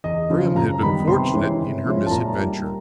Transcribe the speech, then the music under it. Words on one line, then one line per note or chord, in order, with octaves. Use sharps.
Grim had been fortunate in her misadventure.
E2 D#5
C#3 F3
F#2 A#5
D#3 G3 B3 D#4 B5
C3 C6
E3 G#3 C#4 E4
C3
F3 G#3 C#4 E4
A5
A#2 A#5
G3 A#3 D#4